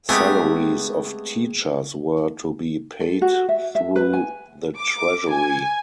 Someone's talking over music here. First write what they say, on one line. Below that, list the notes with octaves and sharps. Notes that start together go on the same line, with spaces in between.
Salaries of teachers were to be paid through the treasury.
G#3 A3 B3 C4 G4 G#4
A4
F#4
E5
E5
B4
G#5
D6
G#5